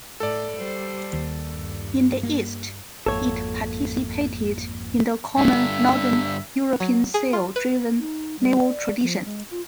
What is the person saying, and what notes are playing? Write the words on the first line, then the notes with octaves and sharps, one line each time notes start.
In the east it participated in the common northern European sail-driven naval tradition.
A2 A4 D5
G3 C5
D#2
G2
A#3
G#1 F2 A#3 A4 C#5 E5
G2 D3 E5
F#3
G#4
F4
B4
D#4
G3
D5
F3
G#3
F4